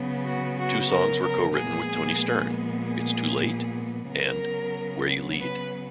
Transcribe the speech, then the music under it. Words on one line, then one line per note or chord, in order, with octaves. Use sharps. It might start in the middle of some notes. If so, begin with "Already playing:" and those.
Two songs were co-written with Toni Stern: "It's Too Late" and "Where You Lead".
Already playing: C#3 F#3 B3
F#4
F#4
A#4
A#4
A#2 F3 G#3 B3 G#4
G#4
C#3 F#3 B3 A#4
B4